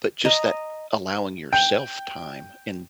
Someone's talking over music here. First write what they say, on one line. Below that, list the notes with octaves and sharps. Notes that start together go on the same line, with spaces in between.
but, just that allowing yourself time, and
D#5 A#5
G5